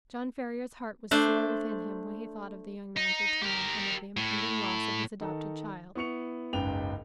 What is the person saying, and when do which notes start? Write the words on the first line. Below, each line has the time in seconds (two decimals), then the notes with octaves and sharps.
John Ferrier's heart was sore within him when he thought of the young man's return, and of the impending loss of his adopted child.
1.11 A3 D4 C5
2.97 D#4
3.43 G4 A#4
4.17 A2
5.20 D#3 D#4 A4
5.95 B3 E4 C#6 C#7 F7
6.53 F#1 C#2 G#2 B4 G5 F7